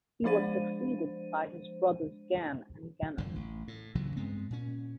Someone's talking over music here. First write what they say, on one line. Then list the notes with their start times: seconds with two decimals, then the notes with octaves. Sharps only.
He was succeeded by his brothers Gann and Genann.
0.24 F3 G#3 D4 C5 D#7
3.17 F1 G2 D3 F3
3.36 A1
3.68 A2
3.95 A#1 C#3 E3 F#3
4.17 G2 G#3 B3 C4
4.50 A#2 C#4